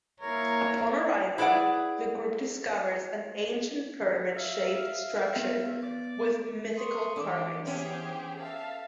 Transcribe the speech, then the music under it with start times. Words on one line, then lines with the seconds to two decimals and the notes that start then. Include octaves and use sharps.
Upon arriving, the group discovers an ancient pyramid shaped structure with mystical carvings.
0.20 A#3 E4 A#4 C#5
1.38 E4 G#4 B4 C#5 D5 F#5
4.35 E5 F5
5.36 B3
5.83 D5 D6
6.76 C6 C#6 D#6
7.16 E3 A3 D4 G4
7.67 B3 C#4 G4 G#4 C5
8.38 A4 E5 F5 A5